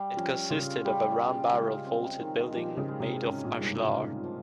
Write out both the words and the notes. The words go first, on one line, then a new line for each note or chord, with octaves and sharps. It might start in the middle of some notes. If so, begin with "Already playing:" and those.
It consisted of a round barrel-vaulted building made of ashlar.
Already playing: G3
F3 C#4
C#3 F4
G3
F4
G#3
C4
D#3
F3 G4
C#3
G#3
C3
G#2 C#4
A#2
G2 D#3
G#2
F4
F3